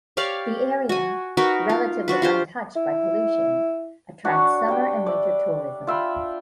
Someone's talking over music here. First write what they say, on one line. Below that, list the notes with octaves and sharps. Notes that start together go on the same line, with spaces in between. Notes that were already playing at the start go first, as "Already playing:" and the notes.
The area, relatively untouched by pollution, attracts summer and winter tourism.
G4 C#5 D5 F5
F#4 G#5
D#4 F#4 A#4 B4
F4
D4 F#4 B4
F4 G4 C5
E4
D4 F#4 C#5
G3 G5
D5 E5
F4 E5 G5 B5